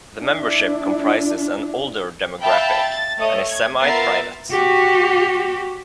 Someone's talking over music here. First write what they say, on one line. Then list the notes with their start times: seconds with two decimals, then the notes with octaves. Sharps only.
The membership comprises an older demographic and is semi-private.
0.19 D4 E4
2.41 E5 F5 G5 A5 B5
2.81 A6
3.18 A3 C#5 D#5 D#6
3.47 G#6
3.81 B3 F4 A#4 E5 A6 C7
4.51 F#4 G4